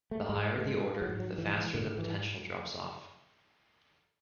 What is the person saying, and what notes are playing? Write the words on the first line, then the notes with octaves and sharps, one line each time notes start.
The higher the order, the faster the potential drops off.
A3
G#2 G#3
A3
G#3
G#2 F#3
F#3
E3
E3
G#2 D3
E3